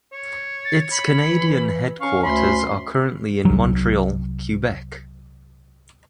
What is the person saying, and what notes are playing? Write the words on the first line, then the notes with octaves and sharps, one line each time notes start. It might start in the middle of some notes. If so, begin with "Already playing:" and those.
Its Canadian headquarters are currently in Montreal, Quebec.
C#5
A6
C#5 B5
E3
C#4 F5 C#6
D2 B5 C6
C2 F#3